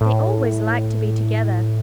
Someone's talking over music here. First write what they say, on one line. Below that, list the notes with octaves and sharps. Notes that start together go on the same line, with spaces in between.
They always like to be together!
A2